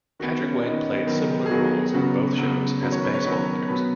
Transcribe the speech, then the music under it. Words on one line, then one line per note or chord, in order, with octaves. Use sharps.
Patrick Wayne played similar roles in both shows as baseball players.
D#3 B3 F#4
C#4
D#3 B3 D#4
D#3 F#3 B3
G#4
D#3 F#3 B3 F#4
C#3 F#3 B3 F#4
C#3 F#3 B3
D#3 F#3 B3 C#4
C#5
B4
C#5
D#3 F#3 B3 B4
B2 F#3 B3 B4